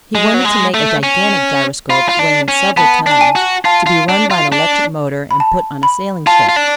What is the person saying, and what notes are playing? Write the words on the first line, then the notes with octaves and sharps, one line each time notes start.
He wanted to make a gigantic gyroscope weighing several tons, to be run by an electric motor and put on a sailing ship.
G#3
F#3
G#3
A3
C#4
F4 B5
F4
D4
C#4
B3 A5
D4 A5
G#5
F#4
F4 A5
F4
D4
F4
D4
B5
A5
B5
F4 A5
F4
D4